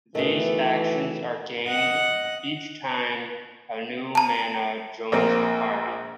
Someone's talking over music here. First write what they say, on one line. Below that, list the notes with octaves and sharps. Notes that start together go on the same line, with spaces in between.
These actions are gained each time a new Mana joins the party.
B2 D#3 E3 A3
D#5 F#5
A5 A#5
A#1 A#3 C4